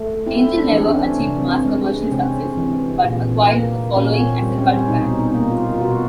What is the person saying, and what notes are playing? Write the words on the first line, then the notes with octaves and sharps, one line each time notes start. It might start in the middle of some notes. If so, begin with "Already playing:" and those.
Angel never achieved mass commercial success but acquired a following as a cult band.
Already playing: A3
C4 E4
D4
E3
C4
C#4
C3
G#3
C#4
C3 C4
E3
A#2
A#3
A#2 C#4
C4
G3
C4
C#4
B2 D#4
D#4
A#3
F4
F4
B2 F#4